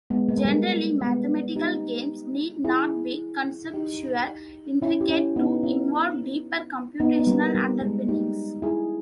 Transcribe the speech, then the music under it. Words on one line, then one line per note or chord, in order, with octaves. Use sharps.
Generally, mathematical games need not be conceptually intricate to involve deeper computational underpinnings.
G#3 B3
A#3
G#3
G3 A#3
G#3 B3
D#4 G4
E4 G#4
D#4 G4
C#4 E4
G4
C#4 E4
B3 D#4
C#4 E4
B3 D#4
B3
G3 A#3
G3
G#3
D#4 G4
E4 G#4